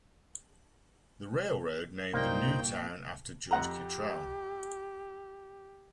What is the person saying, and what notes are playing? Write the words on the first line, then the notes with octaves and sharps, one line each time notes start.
The railroad named the new town after Judge Kittrell.
C2 G2 A#2 A#3 D#4 C5 G5
F2 G4 F#5 A#5